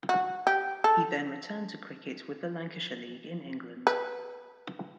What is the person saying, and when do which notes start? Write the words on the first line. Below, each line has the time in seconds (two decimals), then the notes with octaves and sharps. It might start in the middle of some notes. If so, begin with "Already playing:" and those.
He then returned to cricket with the Lancashire League in England.
0.09 F#4
0.47 G4
0.84 A4
3.87 B4